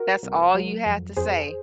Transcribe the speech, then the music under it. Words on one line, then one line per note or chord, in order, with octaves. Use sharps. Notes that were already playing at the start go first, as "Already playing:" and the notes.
That's all you have to say.
Already playing: F#4 A#4
C2
F#3
F2
F2 G#4 C5